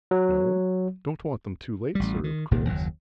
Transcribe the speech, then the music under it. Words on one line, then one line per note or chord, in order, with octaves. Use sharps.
"No--Don't want them too late, sir, of course."
F#3
A1 G3
D#3
D#1 C2 A#2 D#3
F#1 D#2 F#3